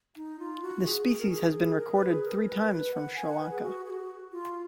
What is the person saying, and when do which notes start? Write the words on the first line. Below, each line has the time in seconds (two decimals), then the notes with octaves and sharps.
The species has been recorded three times from Sri Lanka.
0.16 D#4
0.39 F4
0.62 F#4
0.85 G#4
1.08 G#4
1.19 A#4
1.30 G#4
1.41 A#4
1.51 G#4
1.78 A#4
1.93 B4
2.08 G#4
2.24 A#4
2.47 B4
2.70 B4
2.94 F#5
3.16 G#5
3.28 F#5
3.39 B4
3.51 G#4
3.63 F#4
3.86 G#4
3.90 F#4
4.32 F4